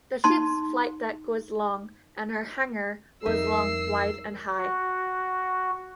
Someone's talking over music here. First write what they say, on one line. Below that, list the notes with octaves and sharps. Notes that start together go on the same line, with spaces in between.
The ship's flight deck was long and her hangar was long, wide, and high.
D#4 A5 C6
F2 G3 D#4 A#4 E5 E6 C7
F#4